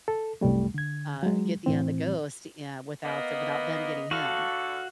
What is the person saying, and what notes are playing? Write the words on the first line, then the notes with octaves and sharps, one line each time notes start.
uh, get the, uh, the ghost, uh, without without them getting him.
A4
C2 F#2 G3 A3
D3 G#6
F#3 G#3
A2 E3 C4
A#3 B3 D#5
D3 F#4 A4 F5 C#6